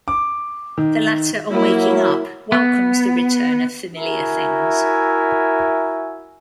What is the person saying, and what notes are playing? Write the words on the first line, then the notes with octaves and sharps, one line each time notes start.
The latter, on waking up, welcomes the return of familiar things.
D6
D#3
F#3 A#3 E4
B3
E4 F#4 A#4 E5 G#5